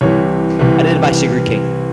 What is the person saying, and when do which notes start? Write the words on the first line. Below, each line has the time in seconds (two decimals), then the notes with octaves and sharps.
Edited by Sigrid King.
0.01 C2 C3 E3 C#5
0.59 C2 C3 E3